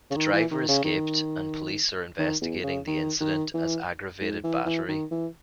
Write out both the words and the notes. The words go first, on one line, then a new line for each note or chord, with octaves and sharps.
The driver escaped, and police are investigating the incident as aggravated battery.
C#3
D#3
E3
D#3
C#3
D#3
D#3
E2
C#3
D#3
D#3
E3
G#2
E3
E3
D#3
E3